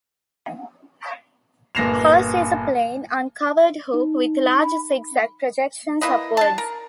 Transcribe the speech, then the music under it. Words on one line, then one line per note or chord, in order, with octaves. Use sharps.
Hers is a plain uncovered hoop with large zig-zag projections upwards.
G1 A#2 A#6 C7 E7 F7
D#4
B5
A#3 E4 B4 D#5
D4 A5
A#4